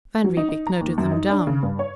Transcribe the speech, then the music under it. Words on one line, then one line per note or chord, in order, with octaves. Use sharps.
Van Riebeek noted them down.
F#3
D#4
D#4
A#5
D#2
F#2
D#4
D4
C#3
G2
C#5